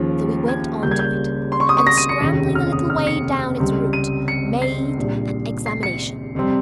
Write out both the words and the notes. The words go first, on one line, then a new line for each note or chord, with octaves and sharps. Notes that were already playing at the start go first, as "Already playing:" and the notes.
So we went on to it, and scrambling a little way down its root, made an examination.
Already playing: D#2 C#3 F3
G#6
C#2 C#3 G3 A#3 G6
G#6
G6
C6
C#6
D#6
C#6
A#6
D#7
C#7
F1 D#2 C#3
F6
D#6
F6
C#7
C#2 C3 G3 C4
D#7
C#7
C7
A#1 A#2 G3
C7
C#7
F2 C3 G3 C4